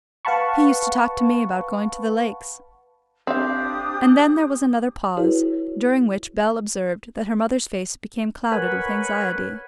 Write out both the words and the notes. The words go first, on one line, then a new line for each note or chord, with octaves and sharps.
"He used to talk to me about going to the lakes." And then there was another pause, during which Bell observed that her mother's face became clouded with anxiety.
B4 F5 F#5 A5 B5 C#6
C4 D4 G4 F5 D#6
E4 F#4 G#4 B4 C#5
A#4 B4 C#5 F#5 G#5 B5